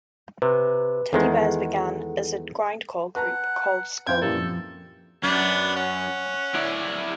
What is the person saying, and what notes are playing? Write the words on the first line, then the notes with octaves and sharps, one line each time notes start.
Teddybears began as a grindcore group called Skull.
C3 B4
E2 D#3 G#3 A4 F#5
B4 F#5 A5 A#5
F2 F3 E4 F4 G5 G#6
F#2 A#2 E3 G3 A#3 A4
F2
F#2 B3 D4
C#4 F#5
E4 D5